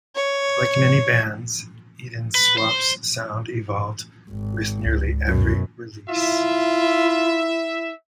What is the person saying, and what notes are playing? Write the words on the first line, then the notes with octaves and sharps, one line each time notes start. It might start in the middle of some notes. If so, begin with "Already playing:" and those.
Like many bands, Ednaswap's sound evolved with nearly every release.
C#5
B4
C5
G#1
C#2
F#2 B2
E4 F4 E5